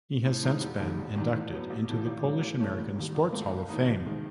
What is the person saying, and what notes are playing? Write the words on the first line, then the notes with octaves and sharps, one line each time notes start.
He has since been inducted into the Polish-American Sports Hall of Fame.
A2
E3 G#3 D#4
E1
D#2 D#3 A3
E1
E2 D#3
A2
F#3 B3
A1
A2 E3 A3
G#1
G#2 F#3
A2
E3 A3 C#4
E1
D#2 D#3
G#1
G#2 D#3 A3
B1
A2 E3 B3 D#4
D#2
D#3 G#3